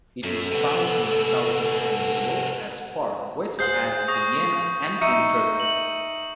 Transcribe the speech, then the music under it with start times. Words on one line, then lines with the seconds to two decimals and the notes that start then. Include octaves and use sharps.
It is found in southeastern Europe as far west as Vienna and in Turkey.
0.23 F#2 A4
0.52 C3 B3
3.59 G#4 C5 F#5 G6 C7
4.08 C#6 D#6 A#6
5.01 D#4 E5 C#6 C#7 D#7
5.60 F#7